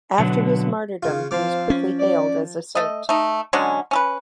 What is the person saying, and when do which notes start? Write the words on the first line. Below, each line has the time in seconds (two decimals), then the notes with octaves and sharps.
After his martyrdom, he was quickly hailed as a saint.
0.19 B2 D3 F#3 B3
1.03 C#3 F4
1.31 F3 C4 F5 D6
1.70 C#4
1.99 D5
2.75 A3 D#5
3.09 A3 D#4
3.53 D3 F#3 G#3 C#4
3.91 C#4 A4 B4